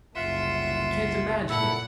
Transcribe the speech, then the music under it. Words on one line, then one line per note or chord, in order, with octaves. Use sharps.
I can't imagine it.
F#1 C2 F4 E5 F#5 C6
A#2 E4 A4 F#5